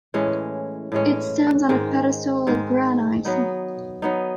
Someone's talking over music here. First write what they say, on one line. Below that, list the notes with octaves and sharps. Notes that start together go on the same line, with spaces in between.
It stands on a pedestal of granite.
A2 E3 G#3 C#4
A2 E3 G#3 C#4
G#2 D#3 G#3
G#2 D#3 G#3
F#3 B3 D#4
F#3 B3 D#4